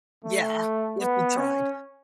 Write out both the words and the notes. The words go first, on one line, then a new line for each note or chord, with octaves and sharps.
Yeah, if you tried.
A3
B3
C#4